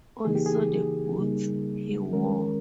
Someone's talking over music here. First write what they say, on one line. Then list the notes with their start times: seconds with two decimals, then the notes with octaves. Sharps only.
Also the boots he wore.
0.25 C#3 E3 A#3 D#4 G#4
0.35 G4
0.46 G#4
1.19 C#3 G3 A#3 D#4
2.12 D#3 G#3 C#4 A#4